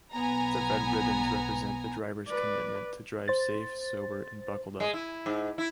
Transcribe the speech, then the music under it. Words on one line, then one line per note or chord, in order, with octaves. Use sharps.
The red ribbons represent the drivers' commitment to drive safe, sober and buckled up.
B1 B3 G#5 A#5
B4 D5
C5 A6
G#3
E4
G#2
E4